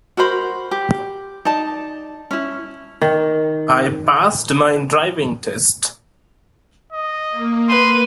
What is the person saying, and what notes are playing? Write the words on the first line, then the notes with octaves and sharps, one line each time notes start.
I passed my driving test!.
F#4 A#4 C5 B5
G4
D#4 D5 A5
C#4 E4
D#3
D#5
A#3
B4 C6 D#7